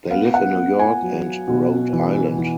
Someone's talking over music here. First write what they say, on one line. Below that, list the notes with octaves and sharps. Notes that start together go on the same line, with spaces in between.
They live in New York and Rhode Island.
B3 F5
F#5
B3
G#5
F#3
B2
E3
E3